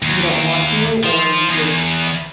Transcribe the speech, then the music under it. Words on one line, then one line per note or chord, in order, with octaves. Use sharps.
you don't want to? Or, you just
D#2
F3
E2